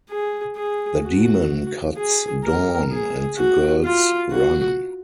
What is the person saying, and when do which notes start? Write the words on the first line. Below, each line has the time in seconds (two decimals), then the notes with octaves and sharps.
The demon cuts Dawn and the girls run.
0.10 G#4
0.56 G#4
1.04 F#4
1.97 G#4
2.44 A#4
2.91 G#4
3.38 F#4
3.85 F4
4.31 F#4